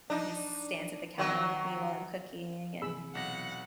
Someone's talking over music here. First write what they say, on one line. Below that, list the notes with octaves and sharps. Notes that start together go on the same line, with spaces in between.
and he s stands at the counter with me while I'm cooking and,
D4 D#4
D#3 F#3
C3 E3 G#4 B5 E6
B1 F#5 A#6